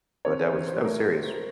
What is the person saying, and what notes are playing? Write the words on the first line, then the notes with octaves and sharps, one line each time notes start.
But that was that was serious.
C4 C#5
C5
E3
C5
A3 A#4